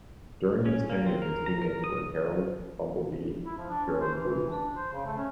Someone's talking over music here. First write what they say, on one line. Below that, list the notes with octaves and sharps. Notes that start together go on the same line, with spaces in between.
During his tenure his teammates were Herald, Bumblebee, Hero Cruz.
C#4
A#3
C4
A#4
A#5
A#4
D#6
E4
F3
D4
C#4
C5
E3
E3
D4
C5
C#3
A3
C#4